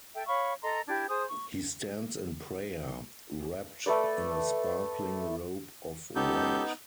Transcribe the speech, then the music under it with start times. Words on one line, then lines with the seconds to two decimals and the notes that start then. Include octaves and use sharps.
He stands in prayer, wrapped in a sparkling robe of white.
0.14 A4 E5 G5
0.27 C#5 F5 B5 C#6
0.62 A4 D#5 A#5 C6
0.87 D4 E4 G4 G#6
1.08 G#4 C5 D#6
1.28 C#6
3.86 A3 A4 B4 D5
6.16 C#2 B3 D#4 G4 A4 G6